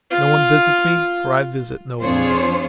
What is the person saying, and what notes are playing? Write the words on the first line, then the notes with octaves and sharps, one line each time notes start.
No one visits me, for I visit no one.
F4
F2 D4 F4 G#4 C5 C#5